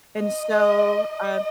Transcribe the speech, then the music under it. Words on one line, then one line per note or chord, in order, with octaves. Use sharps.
And so, um
D#5
D#5
D#5